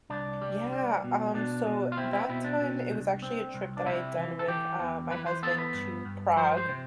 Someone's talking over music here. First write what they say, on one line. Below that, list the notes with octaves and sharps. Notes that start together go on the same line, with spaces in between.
Yeah, um, so that time it was actually a trip that I had done with, uh, my husband to Prague,
C2 D4
G3
G3
B2
B2 D4
B2
F4
C4 E4
E4
B2 E4
D4
B2
C2
C4
C2
D4
C3 E4
E3
A4
E3 G4
E2
E3 B4
C5
B3 A4
B4
G2
G2
F3 C5
C5
C3